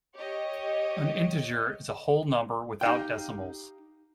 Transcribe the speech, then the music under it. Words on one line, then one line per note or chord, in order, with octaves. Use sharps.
An integer is a whole number without decimals.
G4 C#5 D#5
D#4 G4 F5 G5